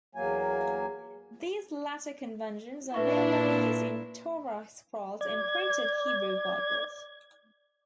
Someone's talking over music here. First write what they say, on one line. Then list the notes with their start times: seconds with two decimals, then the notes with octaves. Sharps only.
These latter conventions are no longer used in Torah scrolls and printed Hebrew Bibles.
0.15 E2 F#3 A#3 G#5
2.94 A#2 D4 E4 B4 E5 C#6
5.21 D5 G#6